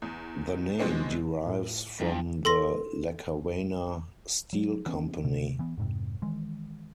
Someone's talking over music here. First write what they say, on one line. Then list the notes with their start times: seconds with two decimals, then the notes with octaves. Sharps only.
The name derives from the Lackawanna Steel Company.
0.02 E2
0.79 B2 F3 G#3 C4 D4
1.47 A2 E4 F4
2.00 F2 G3 D4 E4
2.45 A4 C6 A#6
4.53 F#3
4.86 E3 B3 C#4
5.24 C3
5.59 E3 B3
5.77 F2 G#2 C3
6.22 D#3 E3 G#3